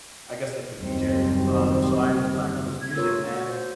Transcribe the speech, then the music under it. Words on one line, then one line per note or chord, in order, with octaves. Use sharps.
I guess like the DJ, um, so I was playing all this music and
F#1 D#2 D#3 G3 C4
G#6
A3 F4 A#4 C#5 E6
F#4 F#5
C5